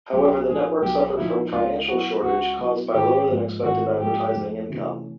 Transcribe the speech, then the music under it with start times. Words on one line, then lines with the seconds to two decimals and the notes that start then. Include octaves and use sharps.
However, the network suffered from financial shortage caused by lower-than-expected advertising income.
0.13 B1 G4
0.47 A#2 F3 A#3 D#4 G#4
0.82 B1 G4
1.17 A#2 F3 A#3 D#4 E4
1.53 C#2 F4
1.88 B2 F#3 B3 E4 F#4
2.23 C#2 F#4
2.58 B2 F#3 B3 E4
2.93 G#1 G4
3.29 G#2 F3 A#3
3.63 G#1 F#4
3.99 G#2 F3 A#3 G4
4.34 F2
4.69 C3 E3 A3 C#4